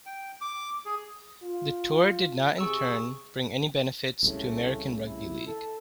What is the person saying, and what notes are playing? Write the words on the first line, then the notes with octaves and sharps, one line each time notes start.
The tour did not in turn bring any benefits to American rugby league.
G5
D6
G#4
F4
C3 G#4 C#6 E6
C2 A2 C#3 A3
E4
A4